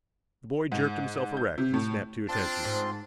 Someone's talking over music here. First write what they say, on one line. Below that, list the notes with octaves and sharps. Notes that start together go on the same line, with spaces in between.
The boy jerked himself erect and snapped to attention.
G#2
G6
C3
A2
C4 D4 F4 A5 C6 A6
G#2